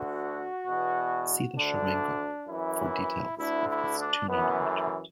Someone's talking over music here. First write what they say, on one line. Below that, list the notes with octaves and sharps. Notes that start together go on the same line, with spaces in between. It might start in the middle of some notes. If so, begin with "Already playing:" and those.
See the charango for details of this tuning arrangement.
Already playing: D2 D3 F#4
E2 B2
D2 D3 D4
F#2 E3 E4
D2 D3 E4
E4
D4
F#2 E3 B3
A3